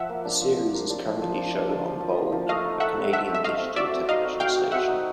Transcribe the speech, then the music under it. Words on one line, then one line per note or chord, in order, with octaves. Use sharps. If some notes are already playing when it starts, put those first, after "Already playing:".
The series is currently shown on bold, a Canadian digital television station.
Already playing: F3 E5 F#5
A#3
D4
F3
F3
A#3
D4
F3
F3
D4
D4
D4
F3
F3
A#3
F3
A3 D#5 F5
D#4
A3 E5 F#5
C4
A3 E5 F#5
C4
E5
A3 D#5 F5
C4
F#4 D5 E5
C4
D#4 D#5 F5
F#4
F#4 F5 G5
F#4
C4 E5 F#5
D#4